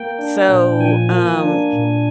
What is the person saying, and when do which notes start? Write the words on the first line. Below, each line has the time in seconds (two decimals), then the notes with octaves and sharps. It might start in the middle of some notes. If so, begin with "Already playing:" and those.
So, um,
Already playing: A#3 G5
0.19 D4
0.48 A#2
0.79 F3 G#5
1.12 A#3
1.42 D4
1.73 A#2